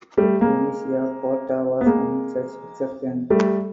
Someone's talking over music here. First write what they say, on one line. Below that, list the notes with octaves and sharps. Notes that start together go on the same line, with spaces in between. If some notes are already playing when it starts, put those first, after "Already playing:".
Venetia Kotta was one such exception.
G3 A3
G#3 A#3
B3
G#3 A#3
G3 A3